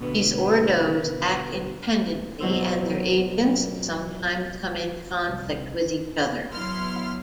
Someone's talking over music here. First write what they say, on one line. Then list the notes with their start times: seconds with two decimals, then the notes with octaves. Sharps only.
These Ordos act independently, and their agents sometimes come into conflict with each other.
0.01 B2 D3 B3 B4
2.40 F2 B2 F#3 C4 C5 E6
5.29 C2
6.51 F#3 B3 E4 C6 F6